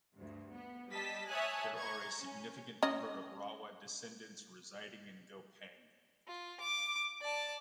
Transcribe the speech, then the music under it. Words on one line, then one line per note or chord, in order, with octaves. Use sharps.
There are a significant number of Rawa descendants reside in Gopeng.
D2 G2
B3
G3 D#5 A5 B6
C#5 E5 G#5 A5 D#6 F#6
A#5 C#6 G#6
C#4
C#4 D#5
F4
D6
D5 A5